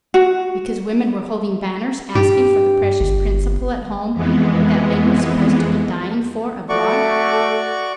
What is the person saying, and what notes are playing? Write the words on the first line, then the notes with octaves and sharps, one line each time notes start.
Because women were holding banners asking for the precious principle at home that men were supposed to be dying for abroad.
F#4
G2 G4
G1
F2 E3 G#3 B3
A3 F#4 D5 C#6